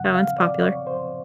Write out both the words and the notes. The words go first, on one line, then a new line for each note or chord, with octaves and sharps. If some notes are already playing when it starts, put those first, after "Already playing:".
that one's popular.
Already playing: F#2 C#3 F#3 F#5
F5
D5
C#5
C5